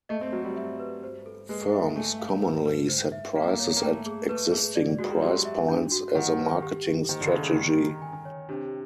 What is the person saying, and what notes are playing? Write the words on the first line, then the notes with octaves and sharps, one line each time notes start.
Firms commonly set prices at existing price-points as a marketing strategy.
A3 D#5
C4
F#3 C5
G3
E5
B4
C5
A4
G#3 B4
E5
A3 G#5
F5
B4
B4
C5
E5
A#3 F5
C#5
A#3
A3 G5
G#4
A3 B4
G#4
D5
G#3 F#4
G3
F#3 C6
E5
D4
F#4
D#3 F#5
B4
G4
G4
D#3 C5
D3
C#3
D3 A4
C#3
D#3 G4
A#5
G#5
C#5
C3 D4